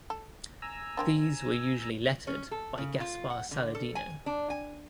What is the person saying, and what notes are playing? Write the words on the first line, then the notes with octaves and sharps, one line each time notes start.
These were usually lettered by Gaspar Saladino.
A4
G#5 A#5 E6
A#3 C4 D4
C#4
A4
C#3
F4
F#5
D3
A4
G#5
D4
G#5